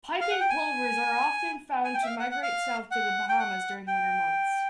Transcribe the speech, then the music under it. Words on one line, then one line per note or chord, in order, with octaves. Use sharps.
Piping plovers are often found to migrate south to The Bahamas during winter months.
F5
F#5
G5
G#5
G#5
G5
E5
F5
F#5
F#5
F5
F#5
G5
F#5
G5